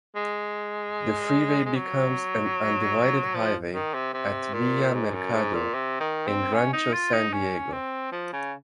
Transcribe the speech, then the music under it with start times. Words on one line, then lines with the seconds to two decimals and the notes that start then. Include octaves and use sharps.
The freeway becomes an undivided highway at Via Mercado in Rancho San Diego.
0.16 G#3
1.65 G#3
1.76 F#3
3.35 F3
3.74 D#3
3.94 C3
4.14 C3
4.53 A#2
4.94 G#2
5.14 F#2
5.34 G#2
5.54 A#2
5.74 C3
6.00 D#3
6.27 C4
6.54 C#4
6.73 D#4
6.93 F4
7.13 D#4
7.33 C#4
7.72 C4
8.12 F3
8.33 C#3